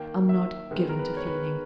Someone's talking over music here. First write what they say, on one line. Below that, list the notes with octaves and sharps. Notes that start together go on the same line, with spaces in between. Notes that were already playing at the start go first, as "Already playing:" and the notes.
I'm not given to feelings.
Already playing: D#3 A#3 G5
E5
D#3 G#3 B3
A#4
B4
C#5
B4